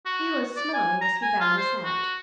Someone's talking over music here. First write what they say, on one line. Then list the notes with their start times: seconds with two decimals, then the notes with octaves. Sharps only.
He was smiling as he bowed us out.
0.06 F#4
0.56 D5
0.73 G#5
1.01 A#5
1.22 G#5
1.40 F4
1.57 C5
1.84 F#4